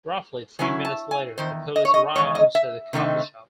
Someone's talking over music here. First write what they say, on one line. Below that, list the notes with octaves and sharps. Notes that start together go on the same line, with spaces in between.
Roughly three minutes later, the police arrive outside the coffee shop.
C#3 F#3 C#4 E4 G#5
A5
G#5
E2 D#3 C5
D#5
C#5
D#5
E2 D#3 G#3 C#5
D#5
E5
C3 D#3 A3 C4 D#4